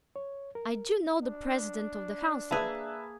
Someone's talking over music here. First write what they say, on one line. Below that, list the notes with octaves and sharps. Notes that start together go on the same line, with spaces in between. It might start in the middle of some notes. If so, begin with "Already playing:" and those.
I DO know the President of the Council.
C#5
A#4
D4
A#3 G#4 B4 E5 A5